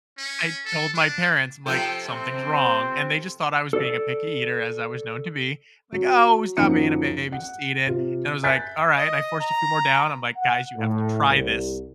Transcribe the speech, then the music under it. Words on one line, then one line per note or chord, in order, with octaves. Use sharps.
I told my parents, I'm like, "Something's wrong," and they just thought I was being a picky eater as I was known to be, like, "Oh, stop being a baby, just eat it," and I was like, "Alright," and I forced a few more down, I'm like, "Guys, you have to try this,"
C#4
A4
D4
C3 F3 A4 G5
C4
A4 D5
F#3
F#2 F3 A#3 D#4 F#5 C#7
F#5
C3 F4
E5 G#5 F#6 G6 A6 B6
D#5
A#5
F#5
A2
C2